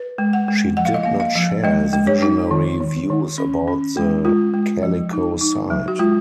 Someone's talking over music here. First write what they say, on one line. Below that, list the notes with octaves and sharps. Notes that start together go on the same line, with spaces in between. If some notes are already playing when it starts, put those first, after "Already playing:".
She did not share his visionary views about the Calico site.
Already playing: B4
G#3
F#5
G#3
F3 F#5
F5
D#5
A#3 F5
F5
F3
G#3 D#5
G#3
C#5
D#4
D#3
D#3
D#3
C#4
C#4
G#3
G#3 F4
G#3
F3
D#4
D#4
F#3
F#4
G#3 F4